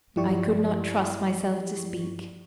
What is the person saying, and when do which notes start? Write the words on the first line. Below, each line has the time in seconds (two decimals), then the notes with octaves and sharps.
I could not trust myself to speak.
0.16 G2 F3 E4 G4 D5 C#6